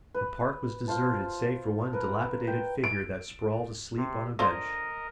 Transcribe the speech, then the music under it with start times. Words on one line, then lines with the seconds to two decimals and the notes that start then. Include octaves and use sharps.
The park was deserted save for one dilapidated figure that sprawled, asleep, on a bench.
0.14 B4
0.88 F4 C5 A5
1.93 A#4 B4
2.47 G5
2.84 D7
3.97 C3
4.39 D3 F4 A#4 C5 D#5